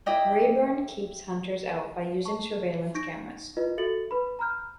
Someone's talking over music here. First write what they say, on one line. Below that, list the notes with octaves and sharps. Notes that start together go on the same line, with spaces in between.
Rayburn keeps hunters out by using surveillance cameras.
E4 G4 D#5 G5
A5 C#6
D#4 C#6 G6 A#6 D7
E4 F4 A#4 B4 D#5
F#4 A4 E5 A6 C#7 F#7
B4 B5
A#5 B5 F6 G6